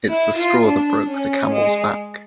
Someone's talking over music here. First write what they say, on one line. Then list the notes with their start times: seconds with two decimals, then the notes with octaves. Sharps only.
It's the straw that broke the camels back.
0.08 E4
0.36 F4
0.65 D4
1.09 C#4
1.52 G#3